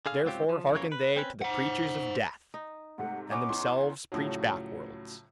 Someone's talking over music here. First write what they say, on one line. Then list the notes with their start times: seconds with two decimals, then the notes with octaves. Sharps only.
Therefore hearken they to the preachers of death, and themselves preach backworlds.
0.06 D3 G#4 F5
0.24 C#2 G#2 F#3 C4 F4 G4
0.49 F3
0.74 F#2 C#3 E3 A#3 C#5
0.92 B4
1.16 C4 C#4 B4
1.42 C5 F#5
2.54 D#4
2.98 G#2 C3 A3 F#5
3.31 B3 C#4 D#4 D6
3.49 E2 C6
4.12 A2 C#3 F3 F#3